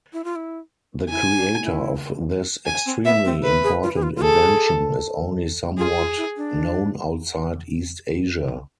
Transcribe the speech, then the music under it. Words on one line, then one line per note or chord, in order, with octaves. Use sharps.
The creator of this extremely important invention is only somewhat known outside East Asia.
E4
F4
E4
E4 G#5
D4
E4
G#5
C4
B3 E5
C4
B4
G#4
F4
G#4
F4
F4
G#4 A4
F4 G#4
F4
E4
D4